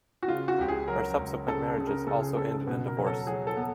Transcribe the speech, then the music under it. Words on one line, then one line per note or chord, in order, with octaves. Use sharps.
Her subsequent marriages also ended in divorce.
F#4
C#3 F4
F#4
C#2 G4
G#4
F#3 A#4
C#2
C#3 A4
A4
C#3
A#4
C#3 A4
G#4
C#3 A4
A4
B2 B4
A#4
F#3
A4
F#3 G#4
A4
B3